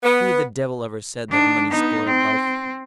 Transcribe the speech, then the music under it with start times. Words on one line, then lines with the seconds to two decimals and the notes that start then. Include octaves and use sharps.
Who the devil ever said that money spoiled life?
0.03 B3
1.29 D#3 D4
1.69 B3 D#4
2.05 C4